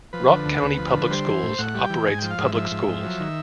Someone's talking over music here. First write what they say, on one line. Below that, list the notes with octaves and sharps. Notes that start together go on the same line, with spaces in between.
Rock County Public Schools operates public schools.
F3 B4
D3
D2
D2
F3
D3
G3 C5
E3
A2
A2 F#5
G3
G5
E3
G#2 G#5
G5
F3
F5
G#2 E5
F3 E5
G#2
F3
F#3
D#3